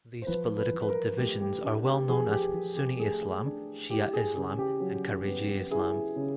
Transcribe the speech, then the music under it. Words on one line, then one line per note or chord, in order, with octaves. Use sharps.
These political divisions are well known as Sunni Islam, Shia Islam and Khariji Islam.
C5
F3 B4
B4
F3
B4
A#4
A3 G4
G4
D4
G4
F3 G#4
G4
F3
G4
A3 G#4
D4
E4 G4
G#4
C#3 G#4
G4
F#3
B3
E4 G#4
C#3